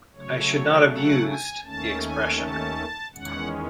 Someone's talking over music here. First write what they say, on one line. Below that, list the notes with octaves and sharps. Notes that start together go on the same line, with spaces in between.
I should not have used the expression.
C#3 F#3 A3 C#5
F#5
G#5
D#2 D#3 A3 C#4 A5
G#5
A5
E2 D#3 G#3 C#4 F#5